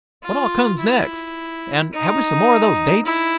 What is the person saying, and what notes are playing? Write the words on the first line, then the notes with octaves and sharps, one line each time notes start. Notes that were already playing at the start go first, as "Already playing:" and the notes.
"What-all comes next, and have we some more of those dates?"
F4
E4
D#4
E4